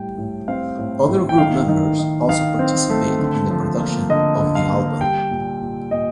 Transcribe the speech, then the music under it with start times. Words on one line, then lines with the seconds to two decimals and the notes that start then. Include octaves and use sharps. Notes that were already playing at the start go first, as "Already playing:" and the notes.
Other group members also participated in the production of the album.
Already playing: A2 G3 G5
0.18 A2
0.48 C4 F5
0.78 A2
1.08 A2
1.29 G5
1.38 D#3 F5
1.68 D#3
1.99 D#3
2.29 D#3 F5
2.59 C4
2.90 A3
3.19 D3
3.50 F3
3.80 A#3
4.10 D3 D#5
4.41 D3
4.55 F5
4.71 A#3
5.01 G3 G5
5.31 A#2
5.61 A#2
5.91 A#2 D#5